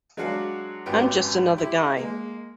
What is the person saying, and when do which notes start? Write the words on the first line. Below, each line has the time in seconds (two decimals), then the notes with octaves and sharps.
I'm just another guy.
0.17 F#3 G#3 D4 F#4 F5 F#5
0.86 G#1 F#2 B3 F4 G4 G5
1.56 E4 G4
1.97 G#3 A#3